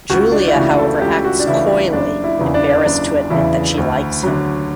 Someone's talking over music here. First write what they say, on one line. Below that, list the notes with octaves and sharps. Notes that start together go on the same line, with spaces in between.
Julia, however, acts coyly, embarrassed to admit that she likes him.
C#2 F#4
D4
E4
C#3 E3 A3 F#4
A4
C#2 G4
F#4
D4
C#3 E3 A3 E4
F#1 D4
E4
E2 C#3 E3
D4
F#1 D4
E2 C#3 E3 E4
D2
D3 F#3